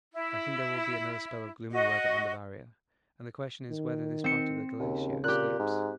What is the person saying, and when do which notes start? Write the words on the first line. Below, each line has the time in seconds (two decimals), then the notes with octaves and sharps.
I think there will be another spell of gloomy weather on the Barrier, and the question is whether this part of the glacier escapes.
0.13 E4
1.71 F#4 D#5
3.70 D#3
4.24 C4 C#7
4.80 D#2 C#3
5.24 A#2 G4 F#6
5.59 G#2